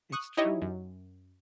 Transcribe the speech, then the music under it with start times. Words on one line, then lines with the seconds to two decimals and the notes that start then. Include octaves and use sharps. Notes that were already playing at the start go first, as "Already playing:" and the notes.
It's true.
0.12 C#6 D#6 F#6
0.37 D#4 E4 G4 C#5 D#5
0.62 F#2